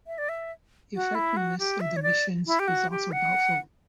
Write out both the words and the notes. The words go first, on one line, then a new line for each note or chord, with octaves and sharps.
The effectiveness of the missions is also doubtful.
E5
D5
E5
F#4
E4
F#4
G4
E5
C#5
D5
E4
G4
F#4
G4
F#5